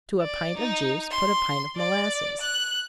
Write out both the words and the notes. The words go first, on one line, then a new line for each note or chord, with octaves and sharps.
To a pint of juice, put a pint of molasses.
D5
D#4
C6
D5
F#6